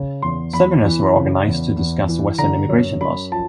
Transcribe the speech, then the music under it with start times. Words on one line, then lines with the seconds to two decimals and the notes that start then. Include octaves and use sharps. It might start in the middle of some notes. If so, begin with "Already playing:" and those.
Seminars were organized to discuss Western immigration laws.
Already playing: C#3
0.22 E2 C6
0.53 E2 B5
0.85 E3
1.15 C#3
1.46 E2
1.76 E2
2.08 E3
2.38 D3 A#5
2.69 F#2
3.01 F#2 B5
3.32 F3 A5